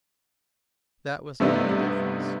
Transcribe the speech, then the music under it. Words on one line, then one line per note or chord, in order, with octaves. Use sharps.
That was all the difference.
G2 C3 A3 B3 D4 D#4